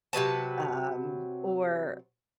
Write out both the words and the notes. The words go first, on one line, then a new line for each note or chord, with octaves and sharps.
um, or
C3 F#3 B4 A5